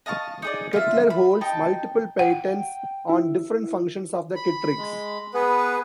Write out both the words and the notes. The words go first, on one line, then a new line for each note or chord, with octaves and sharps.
Kettler holds multiple patents on different functions of the Kettrikes.
D#5 F5 A5 C#6
D#4 G#4 D5
F4 E5
B5
D#4 G5 A5
F#5 G5
E4
B5
G#3
B3 G#4 B4